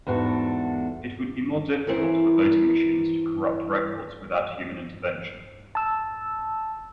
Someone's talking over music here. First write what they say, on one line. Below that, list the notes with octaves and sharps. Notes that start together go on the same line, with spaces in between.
It would be more difficult for voting machines to corrupt records without human intervention.
E2 G#2 D4 F#4 A4
E3 C4 E4 A4 A#4
A5 E6